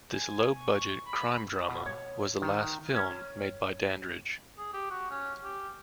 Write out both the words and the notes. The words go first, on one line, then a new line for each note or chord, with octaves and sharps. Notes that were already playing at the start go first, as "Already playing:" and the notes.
This low budget crime drama was the last film made by Dandridge.
G#5
C#6
B5
B2
C#5
D#3
C#4
G#4
G4
F#4
C#4
G4